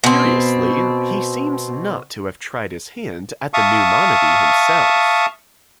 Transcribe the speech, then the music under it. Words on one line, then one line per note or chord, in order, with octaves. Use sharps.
Curiously, he seems not to have tried his hand at the new monody himself.
B2 C4
E5 F5 A5 C#6 D#6